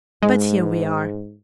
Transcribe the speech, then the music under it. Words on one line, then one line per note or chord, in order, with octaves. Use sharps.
But here we are.
G#2 G#3